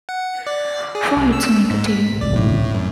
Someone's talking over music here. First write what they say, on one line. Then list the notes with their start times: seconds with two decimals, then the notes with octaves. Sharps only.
Four hits make a team.
0.09 F#5
0.47 D5
0.95 G#4
1.16 C2
1.33 E6
1.70 G#2
1.87 B6
2.21 D5
2.35 A2
2.74 F#2